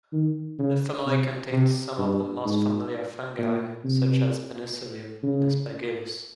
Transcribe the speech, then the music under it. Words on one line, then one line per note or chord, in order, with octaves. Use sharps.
The family contains some of the most familiar fungi, such as "Penicillium" and "Aspergillus".
D#3
C#3
C3
C3
G2
G#2
A#2
C3
C#3